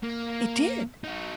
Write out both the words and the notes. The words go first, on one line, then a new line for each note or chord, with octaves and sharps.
It did!
A#3
D#4 F#4